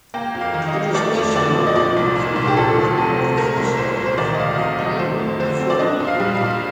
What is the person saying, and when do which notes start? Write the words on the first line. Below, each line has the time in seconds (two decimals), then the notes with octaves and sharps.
It is best known for being one of the first stages Eminem performed.
0.14 A#3 G5
0.35 F2
0.41 F5
0.54 D#3
0.68 D#5
0.74 D#4
0.94 A3 D5
1.15 F2
1.35 D3 D5
1.56 F2
1.67 D#5
1.76 F3 D5
1.97 C2
2.16 A#2
2.36 C2
2.47 G4
2.56 F3 A4
2.76 D2
2.98 C3
3.17 C4
3.37 A3 A#4
3.57 C2
3.77 A#2 C5
3.97 C2
4.06 C5
4.18 D#3 D5
4.34 D#5
4.38 D2 F5
4.55 D#5
4.59 C3 F5
4.79 A3 D#5
4.99 A3 C5
5.19 F2
5.40 D3 C5
5.60 C4
5.70 D5
5.79 D4 D#5
6.00 A#2
6.07 F5
6.20 G3
6.34 F5
6.41 A#2